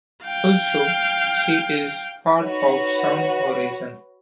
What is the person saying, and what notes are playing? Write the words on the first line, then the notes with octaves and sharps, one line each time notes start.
Also, she is part of Sound Horizon.
F5 G5
D#4 F#4 B4 C#5